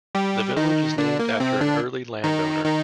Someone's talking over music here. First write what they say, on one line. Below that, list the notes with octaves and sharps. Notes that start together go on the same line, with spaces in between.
The village is named after an early landowner.
G3 G4
D#3 D#4
D3 D4
A#3
C3 C4
D3 D4
D#3 D#4
D#3 D#4